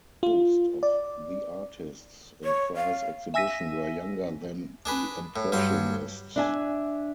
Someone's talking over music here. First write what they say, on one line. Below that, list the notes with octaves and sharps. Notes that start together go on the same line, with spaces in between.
Most of the artists in Fry's exhibition were younger than the Impressionists.
F4
D5
C#5
F5
E5 G#5 E6 A#6 B6 D#7
D4 G#4 B4
A2
G2 F#3 C6
D4 E5 G#5